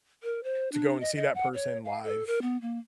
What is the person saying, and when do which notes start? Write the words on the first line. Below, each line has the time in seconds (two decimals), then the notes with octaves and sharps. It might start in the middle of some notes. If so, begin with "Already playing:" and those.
to go and see that person live,
0.23 A#4
0.44 C5
0.72 D4
1.00 D#5
1.16 D#5
1.35 F#5
1.54 C#5
1.85 F5
2.04 A4
2.27 A#4
2.42 B3
2.61 A#3